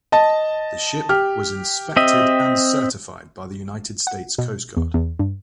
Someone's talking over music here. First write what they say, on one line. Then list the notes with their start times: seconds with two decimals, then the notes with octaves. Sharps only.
The ship was inspected and certified by the United States Coast Guard.
0.12 D#5 A5
1.09 G4 F6
1.97 C4 D#5 E5
4.07 F#5
4.38 B2
4.77 E2
4.94 E2
5.19 G2